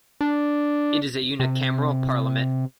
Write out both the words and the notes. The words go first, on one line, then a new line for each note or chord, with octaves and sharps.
It is a unicameral parliament.
D4
C3